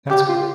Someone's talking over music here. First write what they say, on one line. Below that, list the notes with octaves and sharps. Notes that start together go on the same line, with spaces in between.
That's good.
G4
F4